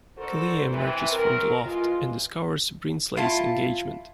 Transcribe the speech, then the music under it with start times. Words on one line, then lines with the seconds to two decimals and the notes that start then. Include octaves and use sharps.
Clea emerges from the loft, and discovers Brindsley's engagement.
0.18 D4 F#4 A4 A#4 C5
0.70 C3 E3
1.13 F#3 C4 A#4
1.63 E3 G#3 F4
3.16 E4 F4 A5